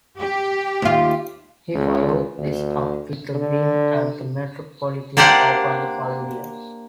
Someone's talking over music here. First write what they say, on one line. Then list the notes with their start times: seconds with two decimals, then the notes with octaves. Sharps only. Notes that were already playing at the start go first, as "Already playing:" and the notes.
He followed this up with a win at the Metropolitan Open the following year.
0.20 G4
0.82 D#2 F4
1.74 C#2
2.38 D2
3.34 D3
5.17 A#3 D4 G4 C5 F#5